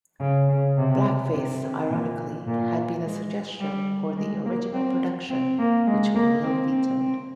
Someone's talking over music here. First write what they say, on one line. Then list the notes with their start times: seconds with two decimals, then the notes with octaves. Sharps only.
Blackface, ironically, had been a suggestion for the original production, which O'Neill vetoed.
0.20 C#3
0.49 C#3
0.77 C3
1.34 C3
1.62 C3
1.90 A#2
2.47 A#2
3.04 G#3
3.60 G3
4.17 G#3
4.45 A#3
4.73 C4
5.30 C4
5.59 A#3
5.87 G#3
6.15 A#3
6.43 C4
6.72 C4
7.00 C4